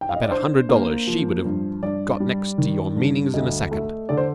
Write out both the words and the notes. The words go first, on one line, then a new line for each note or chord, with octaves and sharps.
I bet a hundred dollars she would have got next to your meanings in a second.
G5
F5
D#5
D5
D4 C5
A#3
F3
G2
G2 D5
G3
D#3
G2
D2 D#5
A3
D3 D5
C5